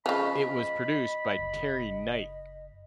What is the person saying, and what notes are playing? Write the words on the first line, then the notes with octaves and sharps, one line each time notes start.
It was produced by Terry Knight.
C#3 F3 D#5 B5
F#1